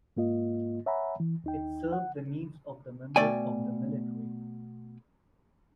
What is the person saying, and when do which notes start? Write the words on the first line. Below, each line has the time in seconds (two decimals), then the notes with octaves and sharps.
It served the needs of the members of the military.
0.17 G#2 A#3 F4 D#5
0.86 C#5 E5 F#5 G#5 A#5 B5
1.20 E3
1.44 D#2 D#4 G5
1.93 F#5
3.16 B2 A3 D5 G5 G#5